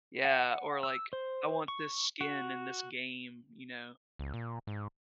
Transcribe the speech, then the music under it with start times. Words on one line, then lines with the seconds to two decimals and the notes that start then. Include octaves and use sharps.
Yeah. Or, like, "I want this skin in this game," you know?
0.25 F#5
0.83 E6
1.13 C5
1.68 C#6
2.21 F#4
4.19 C#2
4.34 A#2
4.67 G#2